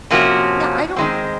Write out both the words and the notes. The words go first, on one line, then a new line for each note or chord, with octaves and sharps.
Yeah. I don't
C3 F3 A#3 C#4 F#4
D#3 G#3 C4